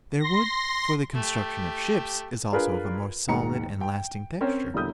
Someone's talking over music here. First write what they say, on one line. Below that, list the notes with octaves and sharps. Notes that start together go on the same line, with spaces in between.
Their wood for the construction of ships is also of a more solid and lasting texture.
C6 A#6
A3 G4
D4 F4 G#4 A#4 B4
D#2 G#2 D#3 A#5 C#7
G5
C4 C#4 A#4 C#5
E1 D3 G3 E4 D#6 G6